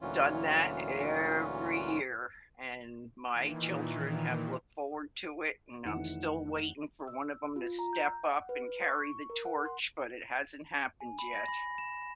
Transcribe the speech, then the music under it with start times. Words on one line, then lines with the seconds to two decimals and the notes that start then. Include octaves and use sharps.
done that every year, and my children have looked forward to it, and I'm still waiting for one of 'em to step up and carry the torch, but it hasn't happened yet.
0.01 D2 A#2 E3 F#3 C#4 F4
3.32 A#2 D#3 E3
5.85 F1 D#3 E3 F#5 C#7 E7
7.08 E6
7.56 F4
7.79 A#5
7.93 G6
8.24 F#5
8.49 B4
8.88 C#6
9.30 A#4
9.45 F#5
9.65 C6
11.01 G#5
11.19 B5
11.35 A#6
11.48 B5
11.78 E7